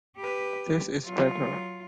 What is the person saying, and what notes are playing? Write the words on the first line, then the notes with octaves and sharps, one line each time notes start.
This is better.
G4 B4
F#3 F4